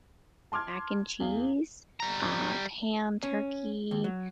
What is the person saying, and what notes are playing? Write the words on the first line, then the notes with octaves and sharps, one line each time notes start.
mac and cheese, uh, ham, turkey,
A5 C6 D6 F6 G#6
E2 G#4 F5
G3 A#5
C#4
D#2
F#3